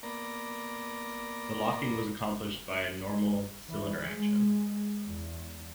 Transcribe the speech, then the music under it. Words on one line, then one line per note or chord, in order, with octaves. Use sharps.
The locking was accomplished by a normal cylinder action.
A#3 B3 D5 A#5
E3
G#3
E2